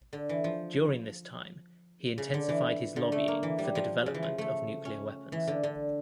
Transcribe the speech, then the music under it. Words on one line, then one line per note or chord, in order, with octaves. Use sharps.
During this time, he intensified his lobbying for the development of nuclear weapons.
D3
E3
F3
C#3
D3
E3
D3
A3
A#3
E3
G3
F3
C#3
E3
F3
A3
C#4
E3
D3
D3